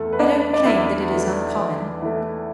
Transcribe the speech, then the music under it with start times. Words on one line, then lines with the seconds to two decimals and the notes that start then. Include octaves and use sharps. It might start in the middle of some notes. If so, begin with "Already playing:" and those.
I don't claim that it is uncommon.
Already playing: E2 A3 A4
0.13 B4
0.19 E3 A3 D4 D5
0.53 D5
0.65 E2 E4 E5
1.11 E3 A3
1.57 E2
2.02 E3 A3